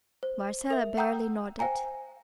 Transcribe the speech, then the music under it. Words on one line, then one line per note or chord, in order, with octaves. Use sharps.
Marcella barely nodded.
C5
A#4 E5
F#5 G5 A#5 D#6 E6 G6
C5 F5 G5 G#5 A#5